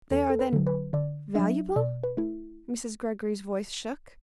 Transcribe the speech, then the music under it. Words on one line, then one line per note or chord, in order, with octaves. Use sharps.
"They are, then--valuable?" Mrs. Greggory's voice shook.
E2 A4
A4
B4
D3 F#3
B4
D3 D5
F#3 D4 E5
B2 D5
B4
A3 E4